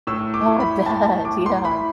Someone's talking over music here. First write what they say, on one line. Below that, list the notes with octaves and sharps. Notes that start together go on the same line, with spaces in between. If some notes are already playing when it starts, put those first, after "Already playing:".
Oh, I bet, yeah.
A2 E6
D6
E4
B5
A2 A5
A5
A2 D6
C6
E4 B5